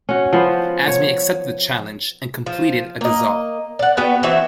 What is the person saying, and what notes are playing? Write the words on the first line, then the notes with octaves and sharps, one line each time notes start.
Azmi accepted the challenge and completed a ghazal.
C#4 F#4
F3 B3 C5
C#5
F3
A#3 D#5
D5 F#5
B3 F#4 B4 G5
E3 C4 F#4 E5